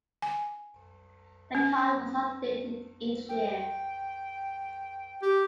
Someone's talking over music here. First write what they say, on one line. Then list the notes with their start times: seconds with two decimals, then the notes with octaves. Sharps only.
The card was updated each year.
0.22 G#5
1.55 C#4
3.29 G5
5.22 G4